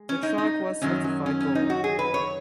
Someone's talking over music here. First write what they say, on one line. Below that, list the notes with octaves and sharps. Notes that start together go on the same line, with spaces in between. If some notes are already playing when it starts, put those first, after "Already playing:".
The track was certified gold.
Already playing: G#3
C#4
D#4
D#4
F#2 D#3 F#3 C#4
C#4
C#4
C#4
D#4
F#4
G#4
B4
C#5